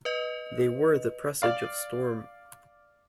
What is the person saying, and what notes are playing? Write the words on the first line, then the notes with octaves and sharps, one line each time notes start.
They were the presage of storm.
B4 D#5
D5 F5